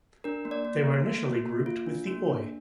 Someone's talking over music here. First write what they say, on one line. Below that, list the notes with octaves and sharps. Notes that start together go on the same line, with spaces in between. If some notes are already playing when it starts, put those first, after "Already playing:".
They were initially grouped with the Oi!
D4 A#4
A#3
D5
A#3
A#3
A#3
A#3
A#3
F4
D4
A#3
D4